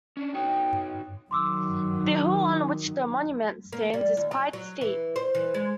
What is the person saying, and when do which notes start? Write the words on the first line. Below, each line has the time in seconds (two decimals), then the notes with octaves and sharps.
The hill on which the monument stands is quite steep.
0.17 C#4 D4
0.34 D#4 F#4 C#5 G5
1.31 D#3 F#3 C6 D6 E6
3.72 A#3
3.94 G3
4.17 D#2
4.31 F#3
4.53 F#3
4.81 E3
5.16 C5
5.35 E3
5.54 G#3